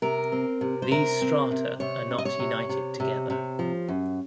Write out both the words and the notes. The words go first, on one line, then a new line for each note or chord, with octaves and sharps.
These strata are not united together.
C3 A#4
C4
C3
C5
C3 A#4
C4
C3
C3 C#5
C3
D#5
C#5
C3
C3
C3
C3
F3
F#2